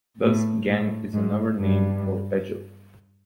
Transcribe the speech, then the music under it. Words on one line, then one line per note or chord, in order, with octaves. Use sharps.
Thus, Gang is another name for Egil.
A2
A2
G#2
G2